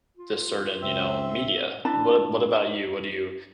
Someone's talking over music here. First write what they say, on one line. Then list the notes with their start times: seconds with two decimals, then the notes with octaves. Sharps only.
this certain, you know, media. What a what about you? What do you
0.17 F4
0.82 C#2 C4 E5
1.85 D4 E4 A5 B5